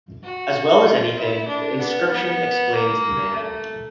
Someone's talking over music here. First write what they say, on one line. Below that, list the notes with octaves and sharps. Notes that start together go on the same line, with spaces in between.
As well as anything, the inscription explains the man.
F#4
F4
E4
D4
B3
B3
A#3
A3